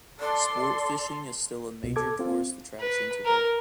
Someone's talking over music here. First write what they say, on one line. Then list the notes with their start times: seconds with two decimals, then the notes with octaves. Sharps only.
Sport fishing is still a major tourist attraction today.
0.20 A4 D5 C6
1.83 C2 B2
1.96 A4 D6 G#6
2.19 C4 F4
2.80 B4
3.25 A#4